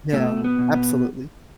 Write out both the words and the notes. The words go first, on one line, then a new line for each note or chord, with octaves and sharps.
Yeah, absolutely,
B2 A3
B3
B2
B3